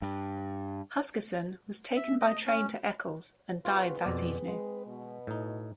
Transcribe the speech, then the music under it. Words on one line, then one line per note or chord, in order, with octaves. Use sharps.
Huskisson was taken by train to Eccles and died that evening.
G2
E5
D#5
C#4
C4 F4 F#4 G#4 B4
F2 B2 D5
G#3
B2
A2 D#4